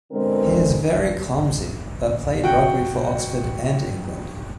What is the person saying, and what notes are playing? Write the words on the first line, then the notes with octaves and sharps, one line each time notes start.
He is very clumsy, but played rugby for Oxford and England.
B2 D3 G#3 C4 A#4
F#4 G5